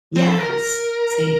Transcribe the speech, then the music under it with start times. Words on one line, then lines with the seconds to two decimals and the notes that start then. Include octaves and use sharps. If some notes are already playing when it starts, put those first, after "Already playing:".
Yes. Same.
0.16 C4
0.28 A4
0.39 A#4
0.50 A#4